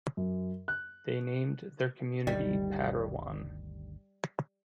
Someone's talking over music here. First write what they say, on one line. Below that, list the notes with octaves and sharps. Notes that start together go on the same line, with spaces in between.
They named their community Parowan.
F#2
F#6
G1 D2 D#3 G3